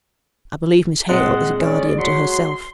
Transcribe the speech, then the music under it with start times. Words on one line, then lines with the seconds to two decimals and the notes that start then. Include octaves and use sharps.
I believe Miss Hale is a guardian to herself.'
1.09 A#2 G#3 C4 F#5 C#7
1.59 C#4 D5
1.99 F#3 C6 B6 C#7